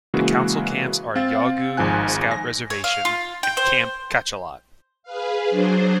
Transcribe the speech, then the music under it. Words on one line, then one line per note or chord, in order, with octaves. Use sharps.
The Council camps are Yawgoog Scout Reservation and Camp Cachalot.
C#3 E3 G#3 A#3 F#4
C4 F5 A6
G#1 G#2 F3 G#5 F#6
G#5 A#6
C#5
F5
F4
G5
C5
G#4 B4 F5
F#3 D4 G#4 C5